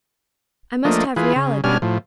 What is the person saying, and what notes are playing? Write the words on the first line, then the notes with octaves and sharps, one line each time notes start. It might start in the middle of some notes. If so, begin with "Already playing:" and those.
I must have reality.
F3 A3 A#3 D4 D#5
E3 F4 G#4 B4
C#3
B2 G3 C#4 D4 G#5 F6
A2 F3